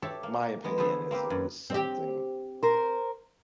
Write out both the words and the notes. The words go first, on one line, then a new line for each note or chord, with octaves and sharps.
My opinion is it was something
G4 A4 C#5 D5 E5
A#3
G#3 B3
D3 B3 G#4 A4 B4 C5
A#3 C4 G4 B4
F#2
C4 G4
A#4 C5